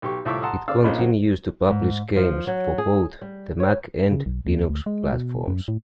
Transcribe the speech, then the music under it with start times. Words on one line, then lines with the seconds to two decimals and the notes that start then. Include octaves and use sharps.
It continues to publish games for both the Mac and Linux platforms.
0.02 B1 G4 C#6
0.25 C2 A2 F4 E5 C#6 D6
0.42 F#5 A5 A#5 C6 D#6 E6
0.68 C#3 D5 F5 D6 E6
0.84 A#1 A#2 F3 C#4 D#4 B5
0.99 F#3 C5 F#5
1.69 G#2
2.16 F3
2.47 F#3
2.78 G#4
3.21 G3
3.60 C#5
4.11 C#3
4.26 B1
4.47 D#2
4.70 D2
4.86 G#3
5.13 B2
5.48 F#2
5.68 A2